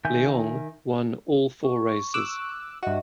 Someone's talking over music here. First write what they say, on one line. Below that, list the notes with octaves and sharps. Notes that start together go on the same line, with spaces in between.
Leong won all four races.
D#3 E5 G#5 G6
C#6
D6 E6 F#6
G2 F#4 D#5 E5